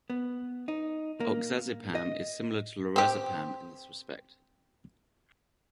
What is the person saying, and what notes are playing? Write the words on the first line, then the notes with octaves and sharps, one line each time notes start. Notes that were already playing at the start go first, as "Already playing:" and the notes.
Oxazepam is similar to lorazepam in this respect.
B3
D#4
A#3
D#5
C4 G4